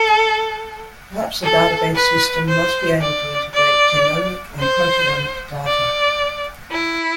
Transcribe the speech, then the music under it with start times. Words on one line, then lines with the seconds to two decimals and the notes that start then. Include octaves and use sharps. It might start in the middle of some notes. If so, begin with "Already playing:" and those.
Perhaps a database system must be able to integrate genomic and proteomic data.
Already playing: A4
1.43 A4
1.95 B4
2.48 C5
3.01 D5
3.54 D5
4.60 C5
5.66 D5
6.71 E4